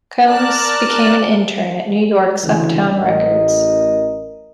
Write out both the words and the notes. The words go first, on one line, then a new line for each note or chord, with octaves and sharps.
Combs became an intern at New York's Uptown Records.
A#4 D5 A5 F#6
D2 C#3 E3
A1 A#4 D#5